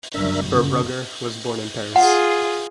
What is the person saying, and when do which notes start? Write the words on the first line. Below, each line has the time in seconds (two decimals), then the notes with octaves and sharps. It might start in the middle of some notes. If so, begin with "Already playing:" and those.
Berbrugger was born in Paris.
0.14 G1 C#2 F#2 D4 A#4 E5
0.54 G1 C#3
1.96 F4 G#4 F#5